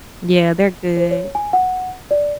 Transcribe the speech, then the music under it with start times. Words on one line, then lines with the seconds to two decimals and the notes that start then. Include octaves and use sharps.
Yeah, they're good.
0.97 C5
1.11 C#5
1.35 G#5
1.53 F#5
2.11 D5